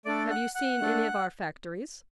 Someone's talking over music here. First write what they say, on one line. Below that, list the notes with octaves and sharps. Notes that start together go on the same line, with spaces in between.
Have you seen any of our factories?
A3 D4 A4 D5 D6
F#5 F#6
F#5 F#6
A3 D4 A4